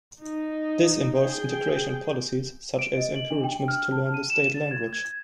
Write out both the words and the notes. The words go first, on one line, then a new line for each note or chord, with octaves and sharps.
This involves integration policies such as encouragement to learn the state language.
D#4
G#4 G5
D7
D#5
F#7
D4
G5
F6
A5
D#7
E7
A6
G#6
G#6